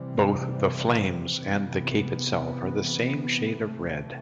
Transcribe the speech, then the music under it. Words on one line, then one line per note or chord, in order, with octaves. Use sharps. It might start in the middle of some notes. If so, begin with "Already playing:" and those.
Both the "flames" and the cape itself are the same shade of red.
Already playing: C3 E3 G3 C4
C3 E3 B3
C3 E3 A3